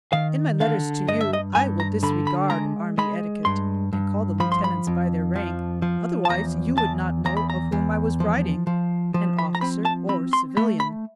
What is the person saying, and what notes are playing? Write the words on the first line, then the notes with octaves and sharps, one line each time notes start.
In my letters to you I will disregard army etiquette, and call the lieutenants by their rank, otherwise you would not know of whom I was writing--an officer or civilian.
D#3 F5
D3 F5
G2 D#5
E5
D#5
G2 G#5
A#5
D3 B5
B5
G#3 A#5
G#3 B5
G2 C6
G2
F3 B5
C6
B5
F2
F3
F3
A5
E2 A#5
E2 A5
E2 A#5
B5
A#5
E2
F3
F3
F3
B5
A#5
C4 B5
A5
C4 B5
C6
A3 B5
B5